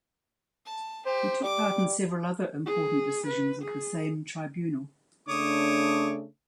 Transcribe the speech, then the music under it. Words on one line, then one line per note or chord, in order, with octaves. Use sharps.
He took part in several other important decisions of the same tribunal.
A5
G4 C5
G3 D6
G#4
B4
G#4
C#3 A3 D4 C#5 D6 D#6